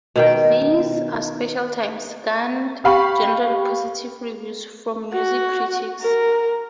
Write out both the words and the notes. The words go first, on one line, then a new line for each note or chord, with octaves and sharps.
"These Are Special Times" garnered generally positive reviews from music critics.
B2 D#3 G5
G4 F5 B5 C#6
F#4
A#4